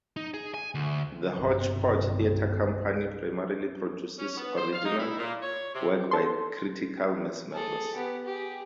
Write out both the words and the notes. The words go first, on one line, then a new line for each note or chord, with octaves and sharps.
The Hodge-Podge Theatre Company primarily produces original work by Critical Mass members.
D#4
G#4
G#5
D2
G1 C2 B2 D#3
C#4
B3
C5
F5
D#4
E4
A#2
C#5
C3
A4 C6
G#4 A4
B3 G4
G4 G#4